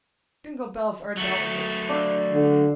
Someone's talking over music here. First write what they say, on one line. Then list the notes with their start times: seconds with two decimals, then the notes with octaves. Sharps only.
Dingle-bells are delicate.
1.17 F#3 A3
1.89 D4 F5 E6
2.33 D3